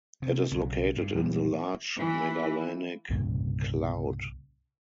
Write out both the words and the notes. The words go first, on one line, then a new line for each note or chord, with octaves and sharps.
It is located in the Large Magellanic Cloud.
C3
B1 C#3
G2
A#2 E3 G3 G#3
E3
C2 G2 A#2 C#3